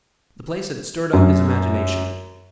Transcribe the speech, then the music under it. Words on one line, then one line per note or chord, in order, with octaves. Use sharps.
The place had stirred up his imagination.
F#2